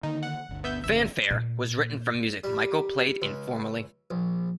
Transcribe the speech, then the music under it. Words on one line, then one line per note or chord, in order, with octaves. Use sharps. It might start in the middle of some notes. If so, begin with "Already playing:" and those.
"Fanfare" was written from music Michael played informally.
D3 D#3 A#3 D#4
F#5
G1 D2
B3 E5 G6
G1 E2 C#3 E5
A#2
G3
C#2
A#1